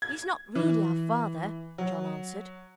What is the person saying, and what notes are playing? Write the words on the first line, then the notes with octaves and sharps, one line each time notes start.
'He is not really our father,' John answered.
G#6
E3
F#3